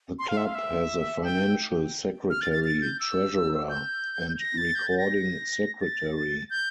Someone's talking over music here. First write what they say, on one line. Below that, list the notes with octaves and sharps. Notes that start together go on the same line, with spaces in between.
The club has a Financial Secretary, Treasurer, and Recording Secretary.
C6
F5
E5
F5
E5
G5
F6
A6
A6
A6
G6
E6
G6
A#6
A6
G6
A6
A#6
A6
G6